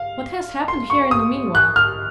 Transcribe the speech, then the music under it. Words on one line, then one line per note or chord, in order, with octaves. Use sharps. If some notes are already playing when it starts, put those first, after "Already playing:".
"What has happened here in the meanwhile?"
Already playing: F5
C6
C#6
D#6
F#6
F6